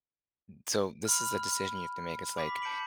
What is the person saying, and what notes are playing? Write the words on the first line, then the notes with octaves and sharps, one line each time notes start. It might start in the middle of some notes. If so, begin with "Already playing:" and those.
n so, this is a decision you have to make, it's, like,
B5 F6
B5 D6 B6
A5 G6 B6 C#7 D7 F#7